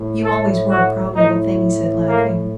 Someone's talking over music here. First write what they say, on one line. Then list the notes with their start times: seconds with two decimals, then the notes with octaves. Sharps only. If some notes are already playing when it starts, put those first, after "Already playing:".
"You always were a proud little thing," he said laughing.
Already playing: A2
0.23 A4
0.68 F#4
1.14 A2 D#4
2.06 A#3